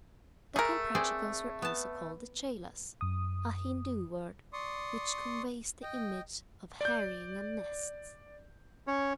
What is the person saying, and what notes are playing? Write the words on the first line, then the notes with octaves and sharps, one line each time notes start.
The Comprachicos were also called the Cheylas, a Hindu word, which conveys the image of harrying a nest.
A3 G#4 A#4
C4 G#4 D5
B3 A5
F#2 D#6
D5 C6 C#6 D#6
D#5 G5
D5 G6
C#4 C#5